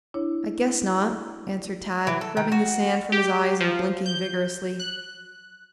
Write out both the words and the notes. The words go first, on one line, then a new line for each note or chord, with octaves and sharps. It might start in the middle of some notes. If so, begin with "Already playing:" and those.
"I guess not," answered Tad, rubbing the sand from his eyes and blinking vigorously.
D4 E4 C#5
E3
A4
D#3
F#4
G4
F3
G6
F#6